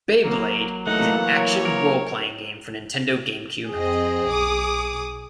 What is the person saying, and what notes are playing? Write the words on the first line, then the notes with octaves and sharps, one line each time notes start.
"Beyblade" is an action role-playing game for Nintendo GameCube.
F#3 A#3
E3 A3 A#3 D#4 A4 F#5
A#4 C#5
A#4
F2 C4 G#4 D#5
B1 D6 D#6